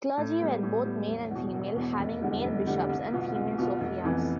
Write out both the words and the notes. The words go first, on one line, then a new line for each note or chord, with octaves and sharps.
Clergy were both male and female, having male bishops and female sophias.
A2
G3 B3
A2
G3 B3
E1
E2 B2
E1
E2 B2
F1
E2 D3 G3
F1
E2 D3 G3
C2
B2 B3 F4
C2
B2 B3 F4
F1
F2 E3 B3